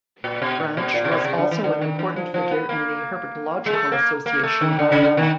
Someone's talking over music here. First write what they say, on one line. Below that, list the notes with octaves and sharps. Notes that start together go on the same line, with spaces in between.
Branch was also an important figure in the Herpetological Association of Africa.
A#2
B2
A#2
B2
A#2
C3
B2
C3
D3
E3
D3
D#3
E3
F3
F3
B3
A#3
G#3
A3
A#3
A#3
A3
D#3
D3
C#3
D3
D#3